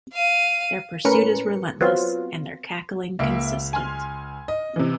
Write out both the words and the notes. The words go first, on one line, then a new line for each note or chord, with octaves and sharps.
Their pursuit is relentless and their cackling consistent.
F5 D#7
A2 C#4 A#4 B4 C#7
F#3 B3 C4 F4
C#2 A#3 E5
G#5 C6 F6
D#5
C3 E3